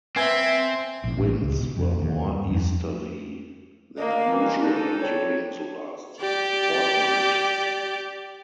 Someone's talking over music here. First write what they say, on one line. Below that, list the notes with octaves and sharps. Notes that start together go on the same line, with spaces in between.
Winds were more easterly than usual during the last fortnight.
C4 B4 E5 G#5 G#6
A#1
A1
C#2
B2
F2
D#2
G2
F2
A#3 D4 D5 D#5 F5
D#3 E3
D4 D#4 A4
C4 D4 C#5
G4 D5